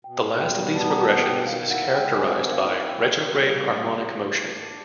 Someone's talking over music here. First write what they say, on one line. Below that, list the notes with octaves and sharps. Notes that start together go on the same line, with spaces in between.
The last of these progressions is characterized by "retrograde" harmonic motion.
B2 G5
B2
G5
G3
B3 A5
A#5
B2 A5
B2 G5
D#3 F5
E4 F#5
G#3 G5
C4 G#5
D#3
F5
E4
A#2 G5
A#2
G3
B3
A#2
A#2
D#3
D4